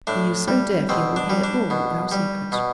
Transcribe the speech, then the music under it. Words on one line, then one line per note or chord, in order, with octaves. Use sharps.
He is so deaf you will hear all our secrets.'
A2 D4
G3
B2 C4
D4
G3
D4
B2
G3
B2